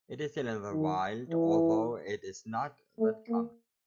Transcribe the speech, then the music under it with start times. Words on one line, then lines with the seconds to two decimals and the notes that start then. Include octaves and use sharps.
It is still in the wild, although it is not that common.
0.71 D#3
1.29 E3
2.99 A3
3.28 A#3